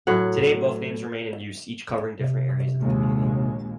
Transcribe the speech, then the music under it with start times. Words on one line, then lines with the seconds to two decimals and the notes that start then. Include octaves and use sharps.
Today, both names remain in use, each covering different areas of the community.
0.07 A2 F#3 F#5
2.18 C3
2.80 A#1 D#2 G#3